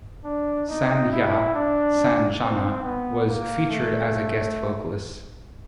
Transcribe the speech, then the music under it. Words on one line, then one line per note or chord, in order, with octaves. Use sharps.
Sandhya Sanjana was featured as a guest vocalist.
D4
D#4
E4
D4
C4
B3
A#3
A3